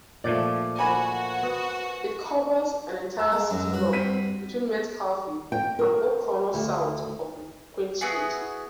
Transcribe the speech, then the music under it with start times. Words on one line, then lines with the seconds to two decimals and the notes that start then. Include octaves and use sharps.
It covers an entire city block between Metcalfe and O'Connor south of Queen Street.
0.24 A#2 F3 A3 D5
0.79 F#4 A#4 C5 F#5 G#5 B5
1.43 B3
3.19 A#5 E6
3.32 G#3
3.50 F#2 F#3
3.70 G2 F#4
3.93 C4 B6 D#7
5.52 G5
5.79 A#4
6.54 D2
8.01 B3 E4 F#4 G#4